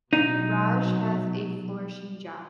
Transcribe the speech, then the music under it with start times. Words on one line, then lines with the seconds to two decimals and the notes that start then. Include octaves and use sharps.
Raj has a flourishing job.
0.13 B2 F#3 D#4